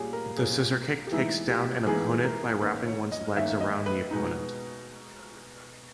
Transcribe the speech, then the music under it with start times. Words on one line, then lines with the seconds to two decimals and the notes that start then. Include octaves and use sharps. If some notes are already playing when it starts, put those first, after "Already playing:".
The scissor kick takes down an opponent by wrapping one's legs around the opponent.
Already playing: A#2 G3 C#4 G#4
0.13 A#4
0.37 A#2 G3 C#4 G#4
1.07 G4
1.12 E3 G#3 B3 D#4 E4
1.50 G4
1.87 E3 G#3 B3 D#4 G#4
2.25 A#4
2.62 D#3 A#3 C#4 B4
2.87 C#5
3.12 D#5
3.36 D#3 A#3 C#4 E5
3.61 D#5
3.86 B4
4.11 B2 G#3 B3 D#4